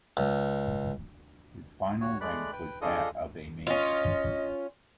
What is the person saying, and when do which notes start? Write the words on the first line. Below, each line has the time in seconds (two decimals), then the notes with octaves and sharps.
His final rank was that of a Major.
0.17 C#2
2.01 F#4 C#5
2.21 G#3 A3 D5 B5 F#6
2.53 B4 G5
2.81 D4 F4 G#4 A4 D#5
3.67 C#4 F4 D#5